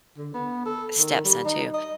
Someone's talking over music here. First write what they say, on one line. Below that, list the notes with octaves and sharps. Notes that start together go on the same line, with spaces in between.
stepson too,
D3
B3
A4
D#3
G3
D#4
D#5